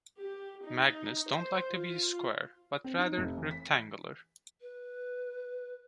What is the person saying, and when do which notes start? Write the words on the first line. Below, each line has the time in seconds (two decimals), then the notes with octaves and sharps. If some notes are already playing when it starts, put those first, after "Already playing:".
Magnets don't like to be square, but rather rectangular.
0.18 G4
0.65 D#4
1.30 C5
1.72 F4
2.84 C4
2.98 D#4
3.17 F1
3.38 E3
3.51 B6
4.61 B4